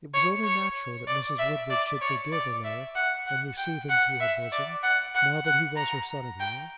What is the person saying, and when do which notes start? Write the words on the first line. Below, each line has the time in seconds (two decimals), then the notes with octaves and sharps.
It was only natural that Mrs. Woodward should forgive Alaric and receive him to her bosom, now that he was her son-in-law.
0.14 C#5
0.44 C#5
1.07 D5
1.38 E5
1.70 D5
2.01 C#5
2.32 D5
2.64 E5
2.95 F#5
3.26 F#5
3.58 G5
3.89 F#5
4.20 E5
4.52 D5
4.83 F#5
5.14 F#5
5.45 F#5
5.76 A#5
6.40 G5